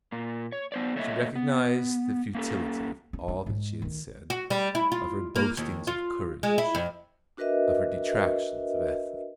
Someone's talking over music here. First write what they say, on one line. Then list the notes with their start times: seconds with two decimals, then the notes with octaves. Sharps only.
She recognised the futility of all that she had said, of her boastings of courage, of her detractions of Ethne.
0.12 A#2 A#3
0.52 C#5
0.72 B3 C5 D5
0.96 A3 A#3 C#5 D#5 E5
1.35 B3
2.35 A#3 C#4 A4
3.13 C#4
3.28 D4
3.46 G#2 G#3
3.82 D2 D#3
4.30 F#4
4.50 G3
4.75 E4
4.92 F4
5.36 A#3
5.57 D#2
5.87 F4
6.43 G#3
6.58 E4
6.75 F2
7.37 D4 F#4 A#4 B4 D#5 E5